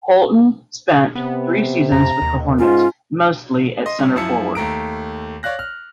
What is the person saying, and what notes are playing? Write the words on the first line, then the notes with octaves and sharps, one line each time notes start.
Holton spent three seasons with the Hornets, mostly at centre forward.
C3 B3
F2 A#5
D#2
G#2 C#4 F4
D#5 C6
G3 C#4
F#2 F3 E4 A5 E6 C#7
D#2 A3 A#5 D7
C#5 D5 F5 F#6 A#6
F6